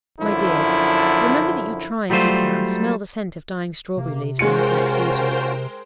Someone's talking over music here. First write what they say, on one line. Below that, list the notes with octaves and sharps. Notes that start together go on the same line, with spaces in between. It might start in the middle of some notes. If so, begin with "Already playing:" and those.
My dear, remember that you try if you can smell the scent of dying strawberry-leaves in this next autumn.
F#2 D3 F3 E4
F#3 G3 A3 F4 C5
C3 A#3
G#3 C#4 F4 F#4 A#4 C5 G5 C#7